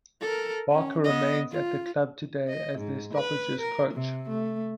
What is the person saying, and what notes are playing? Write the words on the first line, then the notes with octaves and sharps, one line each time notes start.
Barker remains at the club today as their stoppages coach.
A4 A#4
C#4
B3 D#5
F4
D#5
G#2
B4
A#4
C3
A3